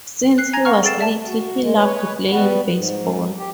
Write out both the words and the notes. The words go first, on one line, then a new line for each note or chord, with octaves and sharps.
Since he was little he loved playing baseball.
F#6 C7
G#5 A#5 G#6 A#6
F5 F#5 A#5 C#6 F6
G#4 A4 G5 A6 C7 E7
G#4 D5 E5 A5
F#4
G#3
B4 C#5
G3 B3 F#4 B4
G#2
G4